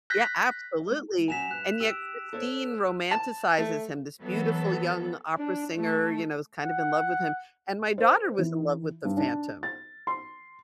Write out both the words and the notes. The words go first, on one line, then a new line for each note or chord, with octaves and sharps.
Yeah, absolutely! And yet Christine romanticizes him, this beautiful young opera singer, you know, is kind of in love with him. And my daughter was in love with the Phantom,
F#6 G6 A#6 B6
F#2 F#3 G#5 B6 E7 F7
G2 F#6
G4 E6 D7
A4 C5 C#5
A5
A3
E3 F#3 B3 A4
D4
A3
F#5
C5
E3
G2
D4
A6
C6